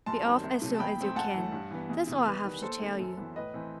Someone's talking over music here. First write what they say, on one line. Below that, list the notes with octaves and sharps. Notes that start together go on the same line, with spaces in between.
Be off as soon as you can, that's all I have to tell you.
F#2 A5 C6
D#3 G3 C4
C2
C3 F#3 A3
A5
E2 G5 B5
B2 A3 C4
F#2 F#5 A5
E3 A3
G2
E3 B3
E2
C3 E3
E2 B4
D#3 G3 B3
D#2 A4 C5
D#3 A3 C4
F#2
E3 B3
A2 B4 D#5
E3 A3 C4